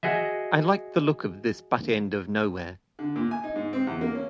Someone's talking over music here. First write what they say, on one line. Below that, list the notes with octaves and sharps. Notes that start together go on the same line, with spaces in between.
I liked the look of this butt-end of nowhere.
F#4 G#4 D#5 E5
D3
A#2
G#5
D#4
G#2
C4
E2
A#3
C#4